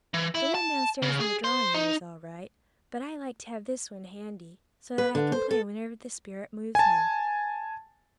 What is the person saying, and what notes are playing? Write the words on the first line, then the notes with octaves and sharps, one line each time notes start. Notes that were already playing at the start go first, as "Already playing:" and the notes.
The one downstairs in the drawing room is all right, but I like to have this one handy, so that I can play whenever the spirit moves me.
E3
E4
A5
C#3
G#4
C5
D#4
B4
D3
C5
A4
G#5 A5